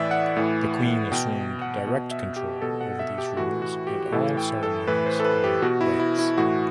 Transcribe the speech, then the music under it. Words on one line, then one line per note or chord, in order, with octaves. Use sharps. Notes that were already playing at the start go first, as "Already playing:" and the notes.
The queen assumed direct control over these rules and all ceremonies or rites.
Already playing: A2 E3 D5 E5
F#5
A2 E3
B2 G5
F#5
B2
E5
G4
B2 A4
F#5
E5
G4
A2 E3 F#4
F#4
G4
A2 E3 A4
G5
A4
A2 E3 B4
C5
A4
B4
G4
B2 F#4
E4
E4
E4
A2 E3 F#4